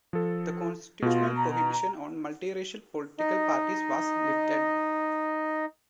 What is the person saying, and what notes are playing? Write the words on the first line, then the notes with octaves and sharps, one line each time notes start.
The constitutional prohibition on multiracial political parties was lifted.
F3 A4
B2 F4 G#4
A#5
D#4 D#5